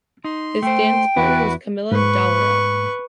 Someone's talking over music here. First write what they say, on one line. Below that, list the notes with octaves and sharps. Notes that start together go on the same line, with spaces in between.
His dance partner was Camilla Dallerup.
D#4 C6
A3 C5 G5
E2 E4 F#4 B4
G#2 B4 C#6